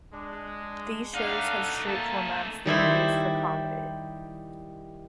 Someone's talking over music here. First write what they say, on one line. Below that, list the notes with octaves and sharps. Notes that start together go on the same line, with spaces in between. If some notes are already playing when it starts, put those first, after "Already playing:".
These shows had straight formats that he used for comedy.
G#3 D4
A3 D4 D#4 F5 F#5
A#3 A5
D#3 G3 E4 C5